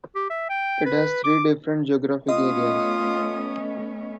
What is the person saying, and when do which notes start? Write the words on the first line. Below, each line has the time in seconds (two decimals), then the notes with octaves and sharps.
It has three different geographic areas.
0.15 G4
0.30 E5
0.49 G5
0.85 B4
1.24 D6
2.29 A3 B3 C#4 F4 D#5 D#6